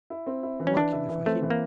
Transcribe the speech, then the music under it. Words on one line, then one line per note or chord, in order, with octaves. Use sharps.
Luckily for him.
E4
C4
E4
E3
C#4
E3 D4
E4
E3
A3 C4
E3
A#3